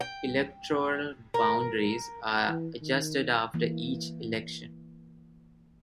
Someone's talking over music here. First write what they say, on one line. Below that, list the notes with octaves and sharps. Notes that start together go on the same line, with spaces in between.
Electoral boundaries are adjusted after each election.
G5
A#4
E3
D#3
E3 A#3